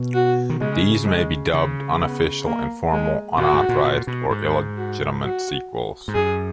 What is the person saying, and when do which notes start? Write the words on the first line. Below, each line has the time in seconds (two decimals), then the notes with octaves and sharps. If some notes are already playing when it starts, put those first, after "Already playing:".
These may be dubbed unofficial, informal, unauthorized, or illegitimate sequels.
Already playing: B2
0.14 F#4
0.50 D#3
0.61 C#3 G#3
1.06 G#3
1.54 C#3
2.00 B3
2.46 A#3
2.92 G#3
3.38 A#2 F#4
3.54 G#2
3.69 A#2
3.84 A#2
4.07 B2
4.30 G#2
4.77 F#4
5.23 F#4
6.08 G#2
6.15 F#2 G#4